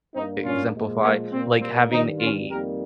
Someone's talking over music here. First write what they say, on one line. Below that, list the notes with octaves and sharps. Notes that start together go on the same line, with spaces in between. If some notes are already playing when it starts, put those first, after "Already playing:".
exemplify, like, having a
G2 G3 A#3 C4 D#4
C#4 F4
A#2 F3 G#3
A#3 C#4
A#2 G3 A#3 C4
C4
G2 D#3 G3 C4 D#4
C#4 F4
F2 D#3 G3 A#3 G4 A#4